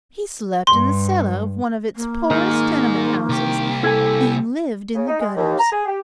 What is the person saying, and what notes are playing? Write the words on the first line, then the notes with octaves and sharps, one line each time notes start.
He slept in the cellar of one of its poorest tenement houses, and lived in the gutters.
G2 C6
A#3
D#3 D#4 G#4
C2 G4
E4 A4 G#5
C#3
D#4
G#3
D#2
A#5
G#4
G4